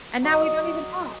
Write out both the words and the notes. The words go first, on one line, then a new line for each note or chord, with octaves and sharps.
and now we don't even talk.
F#3 F#4 D5 D#5